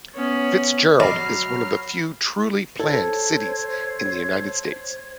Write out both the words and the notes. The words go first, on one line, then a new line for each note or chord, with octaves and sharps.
Fitzgerald is one of the few truly planned cities in the United States.
B3 C#4
F#3 D5 B5 F6 A#6 C7
A4 C5 C#5 G#6